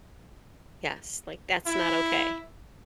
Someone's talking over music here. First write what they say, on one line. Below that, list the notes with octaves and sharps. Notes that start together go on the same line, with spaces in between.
Yes, like, that's not okay.
E4